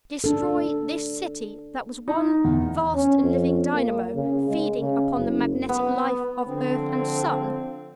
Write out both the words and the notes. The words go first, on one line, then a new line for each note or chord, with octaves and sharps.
Destroy this City that was one vast and living dynamo feeding upon the magnetic life of earth and sun!
D4 A4
D#4
E2
C#4
F2
A#3
C#3
G#3
C#3
F#1
B3
D3 F3 C4